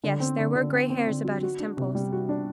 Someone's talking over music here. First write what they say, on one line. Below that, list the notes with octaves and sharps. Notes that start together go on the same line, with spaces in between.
Yes, there were gray hairs about his temples.
D3
C4
D3
D3
C4
C4
D3
F#3
F#4
D4
C3
G3
F#4
D4